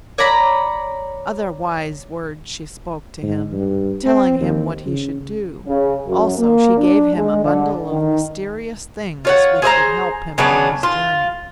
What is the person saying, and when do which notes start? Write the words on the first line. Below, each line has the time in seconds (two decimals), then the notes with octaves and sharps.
Other wise words she spoke to him, telling him what he should do; also she gave him a bundle of mysterious things which would help him on his journey.
0.18 C#5 D5 A#5 B5
3.23 G#2
3.52 G2
4.03 C4
4.40 D#2
4.86 C#3
5.67 C#3
6.06 F#2
6.38 A#3
6.78 D4
7.14 G#3
7.44 D3
7.90 D#3
9.25 F4 C#5 F#5
9.62 G#4 C5 E5 A#5
10.38 C#3 F#3 B3 D4
10.83 F4